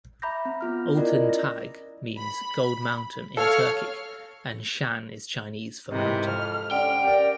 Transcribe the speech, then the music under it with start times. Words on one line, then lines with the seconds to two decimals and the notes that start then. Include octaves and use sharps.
Altyn Tag means "Gold Mountain" in Turkic, and Shan is Chinese for "mountain".
0.22 E5 A#5 B5 D6 G6 A#6
0.45 C4
0.61 B3 F4 F6
0.96 C#4 E4 F4 A#4 D5 D#5
1.08 D5
1.29 A#6
2.18 B5
3.37 A4 C#5 F5 F6
5.91 G#2 C3 D#3 E3
6.27 F2 F6
6.71 D3 C#4 G5
7.03 G4 A#4 D5